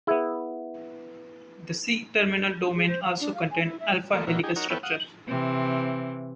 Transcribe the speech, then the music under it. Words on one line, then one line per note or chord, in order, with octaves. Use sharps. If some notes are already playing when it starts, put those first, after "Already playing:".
The C-terminal domain also contains alpha-helical structure.
B3 E4 G#4 E5
G#4
C5
F5
D4
F5
G#5
E4
E5
F3 A3 A#3
A#2 D#3 E3 F#3
D#4 G4 G#4
D#4 F#4 A#4 C#5
B3 E4 A4 B4 C#5 G5
F5 F#5 D#6
C3 E3 C4